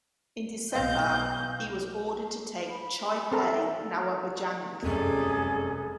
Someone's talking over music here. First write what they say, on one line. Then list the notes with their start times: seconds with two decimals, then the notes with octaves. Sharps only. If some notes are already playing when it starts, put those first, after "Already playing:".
In December he was ordered to take Chapai Nawabganj.
0.73 B1 B3 B4 D#5 F5 G6
2.70 B5
3.32 C4 A4 A#4 E5
4.83 F1 F#2 G3 G#4 A4